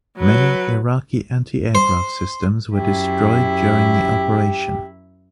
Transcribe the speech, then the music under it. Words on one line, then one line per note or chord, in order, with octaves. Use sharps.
Many Iraki anti-aircraft systems were destroyed during the operation.
F#3 B4
C5
F#2 E4 G4